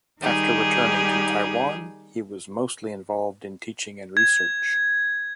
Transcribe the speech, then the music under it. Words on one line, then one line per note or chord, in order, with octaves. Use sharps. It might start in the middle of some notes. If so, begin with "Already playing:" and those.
After returning to Taiwan, he was mostly involved in teaching and research.
D#3 G3 D#4 G4 G#4
G#6